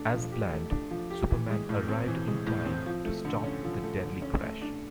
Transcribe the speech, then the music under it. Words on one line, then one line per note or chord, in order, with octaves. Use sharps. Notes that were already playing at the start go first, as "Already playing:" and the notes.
As planned, Superman arrived in time to stop the deadly crash.
Already playing: A3 D4
F3
G4
A3
D4
F3
G4
E3
G#3
A2
C4
E3
G#3
A2
C4
F3
A3
D3
C#4
F3
A3
D3
C#4
A3
D4